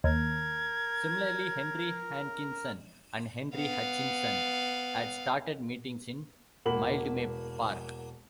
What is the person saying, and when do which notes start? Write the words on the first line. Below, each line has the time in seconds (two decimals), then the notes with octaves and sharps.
Similarly Henry Hankinson and Henry Hutchinson had started meetings in Mildmay Park.
0.04 D#2 A#4 G#6
3.55 B3 F5
6.66 E1 A#3 F#5 B5 F#7